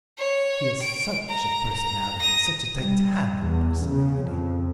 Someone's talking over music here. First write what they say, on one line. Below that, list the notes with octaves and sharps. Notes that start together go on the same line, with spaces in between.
He is such a personality, such a titanic personality!
C#5
D7
A#5
A#5
D#6 A#6
G3
E2
C#3
F2